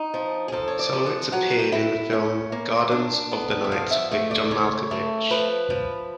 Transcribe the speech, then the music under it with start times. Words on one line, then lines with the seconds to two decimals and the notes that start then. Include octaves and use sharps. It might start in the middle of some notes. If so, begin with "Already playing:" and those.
Solowitz appeared in the film "Gardens of the Night" with John Malkovich.
Already playing: D#4
0.14 F3
0.48 G#4
0.52 F3 A4
0.68 C#5
0.79 D5
0.93 F3
1.06 F#5
1.32 F#3 F#5
1.59 G5
1.72 E4
2.13 C#4
2.52 A#3
2.92 D4
3.31 B3
3.64 E5
3.72 F3 F5
3.91 E5
4.11 A3 E5
4.31 D5
4.51 C#3 C#5
4.91 A3
5.31 F3 B4
5.70 F3